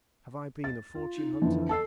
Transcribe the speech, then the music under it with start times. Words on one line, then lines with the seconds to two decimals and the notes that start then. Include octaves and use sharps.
Have I been a fortune hunter?
0.64 A6
0.95 F4
1.16 D#4
1.42 F2 D3 E3
1.69 A4 A5 E6 C7